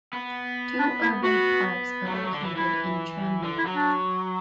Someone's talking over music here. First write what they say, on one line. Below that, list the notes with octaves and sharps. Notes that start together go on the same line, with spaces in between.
Two urban parks are located in Tranmere.
B3
D4
E4
B3 F#4
F#3
A3
F#3
D3
E3
E3 E4
D3
E4
F#3
D4